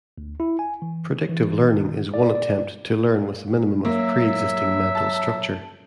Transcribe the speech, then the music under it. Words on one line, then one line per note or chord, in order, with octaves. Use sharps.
Predictive learning is one attempt to learn with a minimum of pre-existing mental structure.
D2
E4
G#5
E3
E3
D#3
D5
D5
F#3 A#3 E5
A5